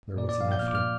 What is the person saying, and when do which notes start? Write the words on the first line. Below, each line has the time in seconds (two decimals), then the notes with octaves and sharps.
There was laughter.
0.17 A#2 D5
0.29 D5
0.41 F3 F5
0.52 G6
0.59 F6
0.63 A#2
0.68 D6
0.75 F6